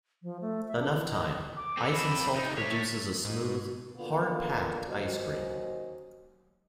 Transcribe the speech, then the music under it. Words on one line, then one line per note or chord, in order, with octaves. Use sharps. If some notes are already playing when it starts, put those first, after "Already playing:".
Enough time, ice and salt produces a smooth "hard packed" ice cream.
F3
A3
E5
D4
E3
D#5
D6
C4 A4
B5
C#2 D#4
A3 C#5 B6
G#2
D3 A#3 B3 F4
D#2 F#3 C#4 C5 D#5